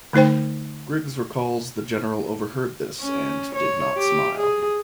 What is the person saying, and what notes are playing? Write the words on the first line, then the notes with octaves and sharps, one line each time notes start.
Griggs recalls the General overheard this and "did not smile".
D3 A3 D#4 C5 G5
C#4
C#5
G4
G#4